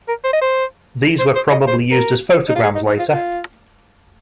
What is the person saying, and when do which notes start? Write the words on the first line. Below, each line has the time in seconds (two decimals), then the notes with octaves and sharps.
These were probably used as photograms later.
0.08 A#4
0.24 C5
0.33 D#5
0.41 C5
1.19 C5
1.36 C5
1.51 D#5
1.68 C5
1.91 A#4
2.49 D#4
2.55 F4
2.64 G#4
2.75 D#4
2.87 D#4
2.99 F4
3.11 F4